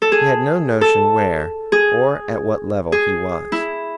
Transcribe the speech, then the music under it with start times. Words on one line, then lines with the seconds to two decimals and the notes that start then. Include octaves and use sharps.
He had no notion where or at what level he was.
0.02 A4
0.12 G#4
0.81 A4
1.72 G#4
2.92 G#4
3.52 E4